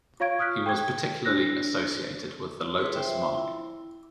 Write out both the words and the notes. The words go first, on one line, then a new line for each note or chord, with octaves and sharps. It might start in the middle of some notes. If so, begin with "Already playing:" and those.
He was particularly associated with the Lotus marque.
F4 C#5 F5 C#6 G#6 D7
C#6 D#6 F6 F#6 B6
G5 G#6
D4 E4 E6 F#6 A#6
F4 G#4 B4 C#5 C6
F4 C5 E5 G5 C6
E4